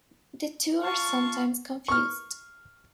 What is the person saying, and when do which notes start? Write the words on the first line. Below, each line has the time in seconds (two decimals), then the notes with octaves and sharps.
The two are sometimes confused.
0.84 F4 F5 A5 C#6
1.88 C#6 F6